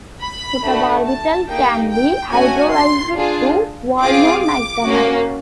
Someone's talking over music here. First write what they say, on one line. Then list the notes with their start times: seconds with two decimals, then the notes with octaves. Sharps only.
Butabarbital can be hydrolyzed to Valnoctamide.
0.21 B5
0.63 A3 D4 F#4 A4
1.05 A5
1.47 A#3 D#4 G4 G5
1.89 G5
2.31 A3 C#4 F#4 G#5
2.73 C6
3.15 D4 F4 G#4
3.99 C4 F4 G#4 D6
4.41 D6
4.83 A#3 C#4 F#4